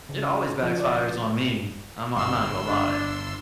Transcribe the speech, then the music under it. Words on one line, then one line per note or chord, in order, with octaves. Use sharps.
It always backfires on me, I'm I'm not gonna lie.
C#3
F3
D5
G1 C6 E6
D4